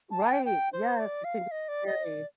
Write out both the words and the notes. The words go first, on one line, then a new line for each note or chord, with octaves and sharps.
Right. Yes, it can be scary.
A5
G5
G5
C5
D5
F5
D#5
D5
D#5
D5